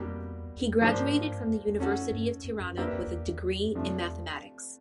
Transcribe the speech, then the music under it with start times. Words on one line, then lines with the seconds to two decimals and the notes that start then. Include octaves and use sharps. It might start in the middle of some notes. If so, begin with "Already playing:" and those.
He graduated from the University of Tirana with a degree in Mathematics.
Already playing: F2 B2 G3 A#3 D4 G4
0.33 E2
0.57 E2
0.69 F2
0.81 G2 F3 A#3 D4 G4 C5
0.96 G2
1.06 G#2
1.30 G2
1.43 F2
1.68 E2
1.79 F2 A3 C#4 F#4 A4
1.95 F#2
2.11 G2
2.29 F#2
2.45 F#2
2.61 F#2
2.77 F2 A#3 D4 G4 B4 E5
2.93 F2
3.01 E2
3.27 E2
3.64 F#2
3.75 F2 C3 F3 A3 D4
3.99 E2